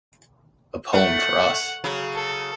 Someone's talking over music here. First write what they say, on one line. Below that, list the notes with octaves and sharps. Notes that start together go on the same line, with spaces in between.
A poem for us.
A3 F#5
C#3 F#3
A4